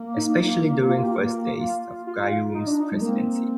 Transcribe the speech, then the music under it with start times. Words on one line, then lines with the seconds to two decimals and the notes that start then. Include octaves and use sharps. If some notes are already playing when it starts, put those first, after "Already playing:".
Especially during the first days of Gayoom's Presidency.
Already playing: A#3
0.17 D#4
0.41 F4
0.88 F4
1.04 G4
1.12 F4
1.60 F4
2.07 F4
2.54 D#4
2.67 D4
2.80 D#4
2.92 G#3
3.01 A#3 C4